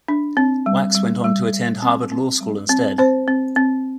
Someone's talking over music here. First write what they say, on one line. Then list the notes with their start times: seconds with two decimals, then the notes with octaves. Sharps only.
Wax went on to attend Harvard Law School instead.
0.08 D4
0.37 C4
0.66 G3
0.95 G3
1.24 G3
1.53 G3
1.82 C4
2.12 C4
2.41 G3
2.69 C4
2.98 C4 C5
3.28 C4
3.56 C4